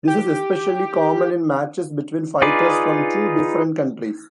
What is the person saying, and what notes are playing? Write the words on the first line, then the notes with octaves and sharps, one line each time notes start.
This is especially common in matches between fighters from two different countries.
G4
D#4 F4 G#4 B4 D5